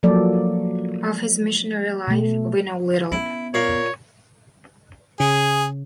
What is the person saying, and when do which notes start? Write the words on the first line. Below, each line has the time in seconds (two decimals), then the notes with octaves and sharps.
Of his missionary life we know little.
0.03 F3 F#3 A#3 A4 D5
2.07 B2 A3
3.12 B3 C#4 E4
3.54 A#2 C#5 F5
5.20 C#3 G#4